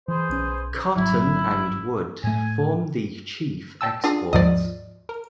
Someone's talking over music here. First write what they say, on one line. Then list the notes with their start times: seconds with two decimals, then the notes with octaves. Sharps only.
Cotton and wood form the chief exports.
0.08 E3 G#4 B4 C5
0.29 B1 C#4
0.96 G#1 F#3 E4
2.24 A2 A3 G#5
3.81 G5 A5 E6
4.04 D4 F4 G#4
4.33 D#2 G#2 F3 D5 D#5
5.09 A#4